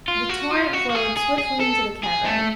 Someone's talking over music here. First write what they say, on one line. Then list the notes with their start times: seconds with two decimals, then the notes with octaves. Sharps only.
The torrent flowed swiftly into the cavern.
0.08 F4
0.30 F#4
0.51 F4
0.73 F#4
0.90 F#4
0.95 G#4
1.17 G#4
1.38 G#4
1.60 A4
2.03 G#4
2.25 A3